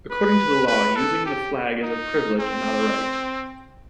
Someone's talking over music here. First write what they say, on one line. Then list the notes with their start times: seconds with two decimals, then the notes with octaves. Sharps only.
According to the law, using the flag is a privilege and not a right.
0.11 B4
0.67 B4
0.96 A4
1.26 G4
1.82 D#4
2.40 C4